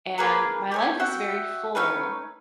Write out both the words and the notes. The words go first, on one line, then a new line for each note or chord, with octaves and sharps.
and my life is very full
A#3 G#4 B4 A#5
G4 A#4 C#5
F#4 E5 F#5 G5
A3 C#4 D#4 B4